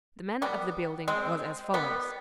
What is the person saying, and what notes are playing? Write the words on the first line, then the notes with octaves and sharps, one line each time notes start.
The manner of the building was as follows.
G3 B3
G#3 C4
G3 B3